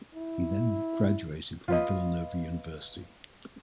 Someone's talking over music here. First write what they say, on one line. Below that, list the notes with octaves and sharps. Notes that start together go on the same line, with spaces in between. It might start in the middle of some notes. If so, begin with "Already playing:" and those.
He then graduated from Villanova University.
E4
F4 B4 D#5